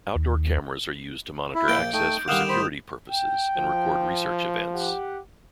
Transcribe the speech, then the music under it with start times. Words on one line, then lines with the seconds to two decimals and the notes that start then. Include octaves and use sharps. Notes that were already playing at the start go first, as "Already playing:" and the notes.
Outdoor cameras are used to monitor access for security purposes and record research events.
0.16 D#2
1.55 E4
1.68 A#1 A#3 G5 G6 D7
1.93 A3 D#4 G5
2.28 D3 D#3 G3 F5 F#5 D#6 E7 F7
2.49 C5 B5
3.10 G5
3.56 F3
4.74 G4 F#5